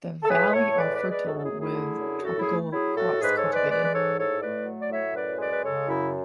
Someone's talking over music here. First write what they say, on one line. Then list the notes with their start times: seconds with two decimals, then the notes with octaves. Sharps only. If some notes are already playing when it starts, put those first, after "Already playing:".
The valley are fertile, with tropical crops cultivated.
0.23 A4
0.29 A2 G#4 B4
0.53 A2 A4 C#5
0.77 G#3 B4 D5
0.94 B4 D5
1.01 G#3
1.10 B4 D5
1.25 F#2 F#4 A4
1.36 A4
1.42 E4 G#4
1.50 A3
1.58 E4 G#4
1.74 D3
1.99 F#2
2.22 A2 F#4 A4
2.39 E4 G#4
2.47 A3
2.72 F#3 E4 G#4
2.95 A2 F#4 A4
3.20 G#2 G#4 B4
3.36 A4 C#5
3.45 G#3
3.52 B4 D5
3.68 E3 B4 D5
3.83 B4
3.93 G#2 A4 C#5
4.17 A2 A4 C#5
4.41 A3 B4 D5
4.65 F#3
4.80 D5
4.90 A2 C#5 E5
5.14 F#2 B4 D5
5.38 G#3 B4 D5
5.51 B4
5.62 C#3 A4 C#5
5.86 F#2 E4